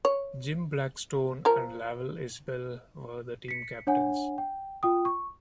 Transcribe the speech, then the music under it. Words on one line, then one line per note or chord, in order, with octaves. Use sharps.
Jim Blackstone and Lavell Isbell were the team captains.
C#5
F3 A#4
B6 C#7
D4 C#5 F#5 G#5
G5
F4 G5 D#6
C#6